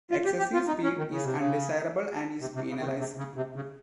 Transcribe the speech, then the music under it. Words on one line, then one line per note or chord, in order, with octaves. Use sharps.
Excessive speed is undesirable and is penalized.
F4
G4
G4
F4
D#4
C#4
D#3
C#3
C3
C#3
C3
C3
C#3
D#3
C#3
C3
C#3
C3
C#3